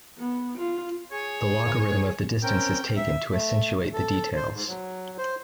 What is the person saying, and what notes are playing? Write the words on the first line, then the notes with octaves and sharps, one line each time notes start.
The logarithm of the distance is taken to accentuate the details.
B3
F4
G#4 C#5
C4 C#4 A#4 G5
E5
A3
A4
C5
G#2
F#3
C5